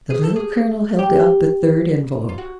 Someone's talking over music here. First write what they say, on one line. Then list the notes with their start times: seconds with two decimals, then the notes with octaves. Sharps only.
The Little Colonel held out the third envelope.
0.10 G#4
0.24 A4
0.36 G#4
0.99 G4
2.29 F4
2.38 F#4